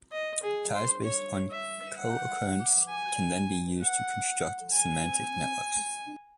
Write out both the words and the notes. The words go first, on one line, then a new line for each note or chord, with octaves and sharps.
Ties based on co-occurrence can then be used to construct semantic networks.
D#5
G#4
C5
C#5
E5
F#5
G#5
F#5
G#5